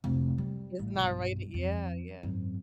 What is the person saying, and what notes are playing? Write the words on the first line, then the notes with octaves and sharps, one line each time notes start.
It's not right it yeah, yeah.
F1 C2
G3
A1
B1 G2
F2
G#1 F#2